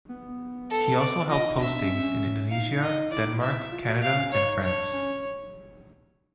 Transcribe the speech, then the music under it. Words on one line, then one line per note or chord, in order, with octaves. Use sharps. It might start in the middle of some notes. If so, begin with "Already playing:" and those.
He also held postings in Indonesia, Denmark, Canada and France.
B3
A4
D5
F4 D#5
D#4
D4 E5
D4
C#4
C4
C#4
D#4 F5
D#5
E4 D5
D#4
E4
E5
F4
F#4
G4 F5
C#4
D#4 C#5
D4 C#5
C#4